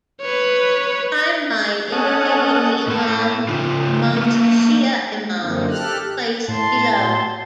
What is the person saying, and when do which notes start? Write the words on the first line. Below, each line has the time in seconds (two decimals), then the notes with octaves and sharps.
Time line indicating the Imam amongst Shia Imams placed below.
0.21 B4 C#5
1.92 C#4 A4 D#5 F#5
2.87 A2 A4
3.49 C#3 D#4 F4
4.16 A3 A#3
5.39 F#2 D3 A#3 C4 D#4
5.69 G4 A4 F6 F#6
6.48 A2 A5 C6